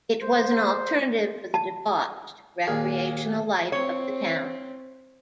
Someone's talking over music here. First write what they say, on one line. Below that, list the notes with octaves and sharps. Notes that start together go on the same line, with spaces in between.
It was "an alternative for the 'debauched' recreational life of the town".
C5
A5
D#2 A#2 G#3 A#3 G#4 F5
C4 C#5